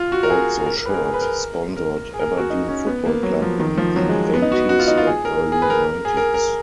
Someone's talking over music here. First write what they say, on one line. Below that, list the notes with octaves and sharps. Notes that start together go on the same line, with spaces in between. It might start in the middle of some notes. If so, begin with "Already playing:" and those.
Also shirt sponsored Aberdeen Football Club in the eighties and early nineties.
Already playing: F4
F#4
A#4
G#4
A#4
A#4
B4
G#4
A#4
G#4
B4
A#4
A#4
G#4
A#4
G#4
F#4
D#4
C#4
B3
A#3
F#3
F3
D#3
F3
F#3
G#3
B3
D#4
F#4
F#4
F4
D#4
F4
G#4
A#4
G#4
B4
A#4
G#4
A#4
A#4